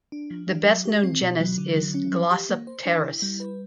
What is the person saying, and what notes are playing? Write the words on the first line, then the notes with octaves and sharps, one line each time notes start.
The best known genus is "Glossopteris".
D4
F3
D4
F#3
G4
C4
B2
F#3
D3
F#3
C#4
F3
G4
A#3
C5
D4
E4
G3
B4